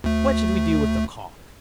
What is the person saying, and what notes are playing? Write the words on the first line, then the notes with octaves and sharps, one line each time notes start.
What should we do with the cock?
D2 A3